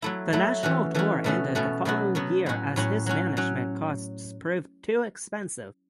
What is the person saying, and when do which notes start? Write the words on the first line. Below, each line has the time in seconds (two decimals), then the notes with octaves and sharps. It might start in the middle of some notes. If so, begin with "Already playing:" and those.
The national tour ended the following year as his management costs proved too expensive.
0.02 F#3 A3 E4
0.33 F#3 A3 E4
0.63 E3 A3 C#4 F#4
0.95 E3 A3 C#4 F#4
1.24 B2 A3 C#4 F#4
1.55 B2 A3 C#4 F#4
1.85 B2 F#3 B3 F#4
2.15 B2 F#3 B3 F#4
2.46 A2 F#3 C#4 F#4
2.76 A2 F#3 C#4 F#4
3.06 F#3 C#4 F#4
3.37 F#3 C#4 F#4